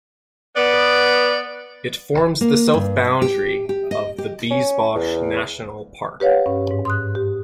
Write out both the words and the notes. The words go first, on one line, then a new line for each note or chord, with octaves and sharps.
It forms the south boundary of the Biesbosch National Park.
B3 D5
A#3
G2
G4
G4
D#5
G4
C#4
E2
G4 B4 C#5 F5 F#5
G2 C#4
G#2
C6 D#6 F#6
G4